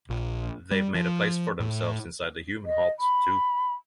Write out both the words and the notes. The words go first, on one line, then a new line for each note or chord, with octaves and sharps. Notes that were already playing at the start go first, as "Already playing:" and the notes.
They’ve made a place for themselves inside the human heart, too.
A#1
G3
F3
A2
D#5
B5